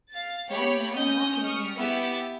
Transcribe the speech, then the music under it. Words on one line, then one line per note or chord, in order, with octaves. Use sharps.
Dead man walking here!
F5 A6
G4 C#5 B5
C#4 D#5 D#6 G6
C#6 D#6 F6
B3 E4 G4 E5 A6